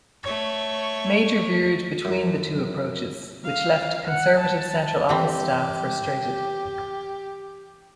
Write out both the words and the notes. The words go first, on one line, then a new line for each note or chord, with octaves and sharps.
Major veered between the two approaches, which left Conservative Central Office staff frustrated.
A3 C#5
F#2
F5
F#5
A5
E3 C4 G4